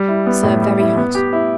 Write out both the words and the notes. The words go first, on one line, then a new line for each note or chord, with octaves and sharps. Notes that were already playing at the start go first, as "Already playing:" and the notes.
Serve very hot.
Already playing: G3
E4
B3
A2
G3
E4
B3
G4
E4